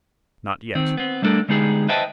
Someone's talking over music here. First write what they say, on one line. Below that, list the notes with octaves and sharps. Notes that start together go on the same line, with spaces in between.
Not yet.
D#3 C4
B3 C4
G3 A3 B3 D4 A4 A#4
D3 G#3 B3 D#4 G4 G#4
B4 C5 D#5 E5 G5 A5